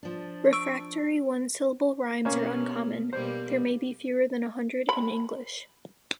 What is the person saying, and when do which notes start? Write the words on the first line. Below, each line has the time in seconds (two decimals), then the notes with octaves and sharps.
Refractory one-syllable rhymes are uncommon; there may be fewer than a hundred in English.
0.03 F3 D4
0.53 C#6 E6 D7
2.25 G2 B2 A#3 B3 C#4
3.13 B2 G3 A#3 C5
4.89 B5